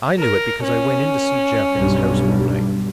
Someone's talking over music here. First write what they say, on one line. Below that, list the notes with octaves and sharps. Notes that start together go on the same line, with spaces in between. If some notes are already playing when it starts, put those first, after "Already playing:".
I knew it because I went in to see Jeff in his house one night.
A#4
C#4
B1 G2 G3